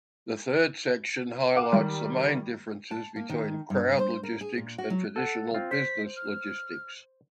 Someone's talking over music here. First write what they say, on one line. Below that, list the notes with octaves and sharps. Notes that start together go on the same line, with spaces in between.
The third section highlights the main differences between crowd logistics and traditional business logistics.
F5 F#5 D6
D#3 G3
A5
A#3
D#3
G2
C5
A#4
G#4
A#2
F#4
F#3
A4 F#5 A5
C4 F4
C5 B6
F6